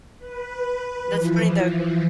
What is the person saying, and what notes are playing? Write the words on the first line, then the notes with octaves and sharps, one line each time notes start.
That's funny, though.
B4
E3 F3